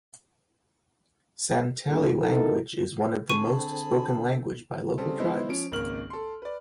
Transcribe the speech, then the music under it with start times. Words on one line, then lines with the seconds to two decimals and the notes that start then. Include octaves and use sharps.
Santali language is one of the most spoken language by local tribes.
1.87 E2 A#2 G3 D4 G#4 A4
2.21 B3 D#4 E4 A4 A#4
3.29 D3 C4 G#4 A5 B5 C#6 D#7
4.98 C#3 G3 C4 A4
5.20 G#3 B3 D#4 E4 C5
5.49 F3 C#4 D7
5.72 G#1 C#2 D#3 A#3 F6 F#7
6.10 A4 C6
6.42 B4 D5